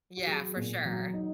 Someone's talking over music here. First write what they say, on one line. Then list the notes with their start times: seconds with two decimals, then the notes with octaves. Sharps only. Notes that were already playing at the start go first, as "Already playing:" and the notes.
Yeah, for sure.
0.17 F#4
0.27 F#3 G#4
0.56 A#2
0.85 F#3
1.14 D#4